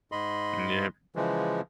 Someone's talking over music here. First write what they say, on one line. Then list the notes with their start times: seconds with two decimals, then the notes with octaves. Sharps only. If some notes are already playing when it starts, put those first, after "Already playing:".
Mm, yep.
0.12 G#2 D#5 B5 C6
1.16 C#3 E3 F3 G#3